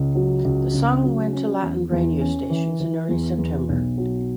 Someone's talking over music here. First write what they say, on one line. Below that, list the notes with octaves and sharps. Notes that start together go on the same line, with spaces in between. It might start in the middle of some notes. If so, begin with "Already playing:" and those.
The song went to Latin radio stations in early September.
Already playing: C#2
F#3
C#2
C#3
F#3
C#4
E2
E2
C#4
E3
E3
E2
E2
B1
F#3